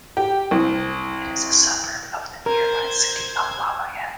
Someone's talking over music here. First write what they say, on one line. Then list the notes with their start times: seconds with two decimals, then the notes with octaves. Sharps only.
It is a suburb of the nearby city of Lafayette.
0.17 G4
0.51 C2
2.46 A#4 C5 G#6